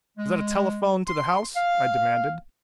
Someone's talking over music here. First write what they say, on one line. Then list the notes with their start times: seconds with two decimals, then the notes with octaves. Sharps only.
"Is that a telephone to the house?" I demanded.
0.18 G#3
1.07 C6
1.55 F5